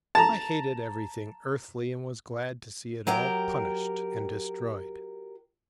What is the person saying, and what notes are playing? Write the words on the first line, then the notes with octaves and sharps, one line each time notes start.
I hated everything earthly and was glad to see it all punished and destroyed.
A5 A#5
F#3 G4 A#4 G5